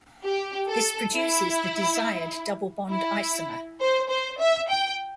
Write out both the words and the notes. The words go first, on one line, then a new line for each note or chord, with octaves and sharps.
This produces the desired double bond isomer.
G4
A4
E4
E4
C5
C5
E5
G5